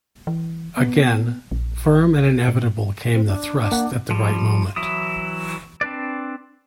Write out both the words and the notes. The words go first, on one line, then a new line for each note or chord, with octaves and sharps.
Again, firm and inevitable came the thrust at the right moment.
E3
B3
A#1
A2
C4
D4
A#3 F#5
F3 G3
E3 F#3 E4 D#6
C4 D4 B4 D5